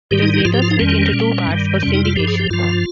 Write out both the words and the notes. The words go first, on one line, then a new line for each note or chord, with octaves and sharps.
It was later split into two parts for syndication.
G#2 D#3 G3 G4
D#4
D#4
G#2 F3 F4
G4
F4
D#4
F2 D#3 G3 C#4
A#2 G3
G2 D#3 G3
F2 C3 G3 C#4
D#4
F4
G2 F3 G4
G#4
G4
G2 F3 F4